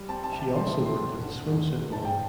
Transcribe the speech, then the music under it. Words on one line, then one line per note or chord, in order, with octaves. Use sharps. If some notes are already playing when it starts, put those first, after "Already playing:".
She also worked as a swimsuit model.
Already playing: G3
C4 A5
A5
C3
A5
A3 C6
C4
C6
E2
D3
E2
E2
G2 A5
G5